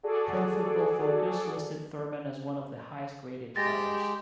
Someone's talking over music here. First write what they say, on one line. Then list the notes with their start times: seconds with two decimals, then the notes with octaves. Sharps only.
Pro Football Focus listed Thurman as one of the highest graded players.
0.03 F#4 G#4 A4 D5
3.56 G#3 G4 A6 A#6